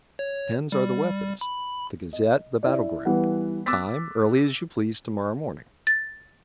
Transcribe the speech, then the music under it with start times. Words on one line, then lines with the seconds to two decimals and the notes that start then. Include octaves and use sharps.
Pens are the weapons; the--Gazette, the battle-ground; time, early as you please to-morrow morning.
0.19 C#5
0.72 G3
1.41 B5
2.13 D#5
2.63 E4 D5
3.05 E3 G3 B3 F#5
3.66 D6 E6 F#6 A6 B6
5.87 A6